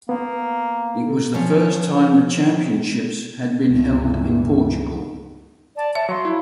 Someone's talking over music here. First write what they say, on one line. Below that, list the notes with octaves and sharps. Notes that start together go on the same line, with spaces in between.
It was the first time the Championships had been held in Portugal.
A#3 B3
D3
F3 F#3 C#4 C#5
C#2 G2 E3
D5 A5
C#5 E5 A5
F#3 F5 C6 C#6
E4 B5